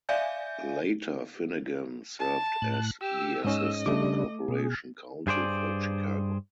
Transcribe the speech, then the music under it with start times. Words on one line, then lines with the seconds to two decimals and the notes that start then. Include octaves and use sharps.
Later, Finnegan served as the Assistant Corporation Counsel for Chicago.
0.09 D5 E5 F5 G#5 G6
2.19 A5
2.62 A2 F#6
3.01 G4 E6
3.45 G#2 C#4 D#5
3.86 C#3 G3 A3 D4 D6
4.48 B2 G#4
5.27 G2 G#4 C5 D5